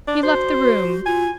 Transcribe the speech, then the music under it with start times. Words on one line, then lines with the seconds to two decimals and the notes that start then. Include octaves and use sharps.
He left the room.
0.08 D4
0.23 F#4 C5
1.06 F4 G#5